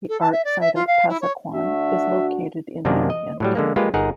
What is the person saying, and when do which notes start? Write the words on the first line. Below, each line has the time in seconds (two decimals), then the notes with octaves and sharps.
The art site of Pasaquan is located in Marion County.
0.09 A4
0.21 A5
0.32 E5
0.45 D5
0.61 E5
0.75 F4
0.87 F5
1.09 E4
1.21 C#5
1.54 D2 D4 F#4 E5
2.85 F#2 C3 D#3 A#3 D4
3.10 D#5
3.40 A2 F#3 G3
3.55 D3 G#3 A#3
3.76 G#3 A#3 F4 G4 B4
3.94 G1 D#4 G#4 A#4 F#5